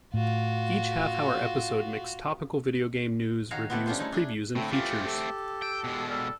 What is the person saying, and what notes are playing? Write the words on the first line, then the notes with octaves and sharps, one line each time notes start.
Each half-hour episode mixed topical video game news, reviews, previews and features.
A2 F4 F#4
D#3 F#4 G#4 C#5 F5 A#5
B3 C4 E4 G4 A4 B4
G3 C#4 D4 F4 G#4 C5
A3 C#4 D#4 E4
D4 G#4
A2 D3 A3 C4
E3 A3 C4 F4 G4
A4
G5
B2 G#3
G3 D4 A4